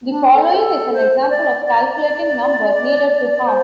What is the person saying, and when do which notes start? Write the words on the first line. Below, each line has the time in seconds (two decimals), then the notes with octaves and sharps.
The following is an example of calculating number needed to harm.
0.09 D4
0.34 A4
0.52 C5
0.57 A4
0.93 C5
1.20 C5
1.30 D5
1.66 D5
3.45 C5